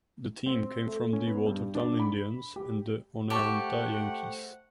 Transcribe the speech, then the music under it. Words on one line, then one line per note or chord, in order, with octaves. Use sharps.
The team came from the Watertown Indians and the Oneonta Yankees.
C4
A3
C#4
B3
G2
D4
B5
G4
A3 G4 C5 F#5 A5 C#6